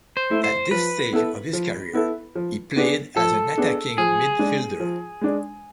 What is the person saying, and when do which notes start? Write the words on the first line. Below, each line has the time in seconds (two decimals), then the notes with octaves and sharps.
At this stage of his career, he played as an attacking midfielder.
0.17 C5
0.30 A3 E4
0.44 C5
0.71 F3 B4
1.13 B3 E4 A4
1.53 F3
1.93 B3 E4 A4
2.35 F3
2.76 B3 D4 G#4
3.16 F3 A4
3.58 B3 D4 G#4
3.98 F3 G#4
4.39 G#3 D4
4.80 F3
5.21 G#3 D4